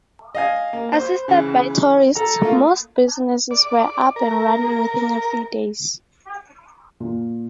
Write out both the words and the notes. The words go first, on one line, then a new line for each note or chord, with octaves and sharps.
Assisted by tourists, most businesses were up and running within a few days.
D#5 F5 G#5
A#3
C5
C#3 E3
A4 A#5
A3 A#3 F4
D5
A#4
A#2